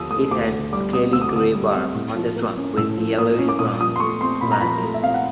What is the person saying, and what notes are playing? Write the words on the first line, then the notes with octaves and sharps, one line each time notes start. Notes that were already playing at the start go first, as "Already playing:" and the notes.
It has scaly grey bark on the trunk with yellowish-brown branches.
Already playing: D#2 D3 F3 D#6 E6
A3 D#6
D2 D6
D3
G3 D6
C4 D#6
D2 E6
D#6
D6
D3 D#6
G3
C4
A2
F3
A#3
C#4
A2 E6
F3
A#3 D#6
C#4
D6
A#2 D#6
F3 D#6
C6
A3 C#6
C4 C6
A#2 B5
A#5
F3 B5
A3
E5
C4 F5
F#5